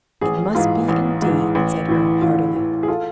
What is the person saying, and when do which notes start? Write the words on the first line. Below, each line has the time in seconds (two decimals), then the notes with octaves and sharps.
"It must be, indeed," said Earle, heartily.
0.21 A1 G#4
0.55 G#2 E3 F4
0.89 A1
1.22 G#2 E3
1.55 A1
1.88 A2 E3
2.21 A1 F4
2.55 A2 E3
2.83 G#4
2.88 F4 A4